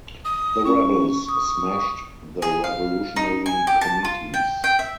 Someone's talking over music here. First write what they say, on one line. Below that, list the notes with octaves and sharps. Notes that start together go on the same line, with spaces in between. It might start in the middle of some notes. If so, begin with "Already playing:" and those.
The rebels smashed the revolutionary committees.
D#6
C#4 C#6
D#6
G#4
F5
D#4
G#5
G4
A5
F4
G5
G5
E5